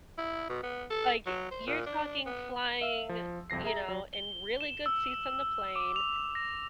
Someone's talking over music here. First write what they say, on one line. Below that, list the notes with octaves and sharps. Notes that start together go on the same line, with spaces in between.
Like, you're talking flying, you know, in really good seats on the plane,
E4
B2
B3
A4
F#3
C5
A#2
D4
B3
E5 F5 E6
F3
C2 F2 F3 A#6 C7
G#4 E5 A#5
F#3
G7
E7
E6
D6
F7
A#6